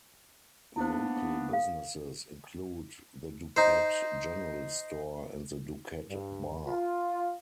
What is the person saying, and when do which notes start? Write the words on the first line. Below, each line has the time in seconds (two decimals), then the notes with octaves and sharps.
Local businesses include the Duquette General Store and the Duquette Bar.
0.76 A#3 B3 D4 E4 C5
1.51 A4 F5
3.57 D#4 C5
6.08 G2
6.67 F4